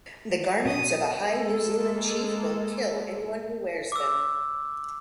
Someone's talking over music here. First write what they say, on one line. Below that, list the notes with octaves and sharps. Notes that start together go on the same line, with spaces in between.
The garments of a high New Zealand chief will kill anyone who wears them.
B2 F#3 D#6
G#3 A#3 A4
D6 E6